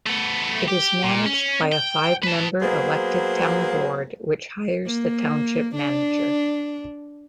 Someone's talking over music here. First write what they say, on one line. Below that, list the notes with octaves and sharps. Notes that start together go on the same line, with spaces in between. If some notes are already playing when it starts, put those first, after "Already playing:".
It is managed by a five-member elected town board, which hires the township manager.
A3 B3
G4
A#2
C#4
G5
B4 A5
F#3 A#3 B3 G#4 A#4 C5
A#3
D4